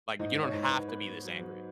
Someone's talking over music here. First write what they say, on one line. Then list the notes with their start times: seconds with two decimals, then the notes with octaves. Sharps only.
Like, you don't have to be this angry."
0.19 G#2 D#5
0.42 C#5
0.54 G#2
0.66 B4
0.89 B3 B4
1.24 F#3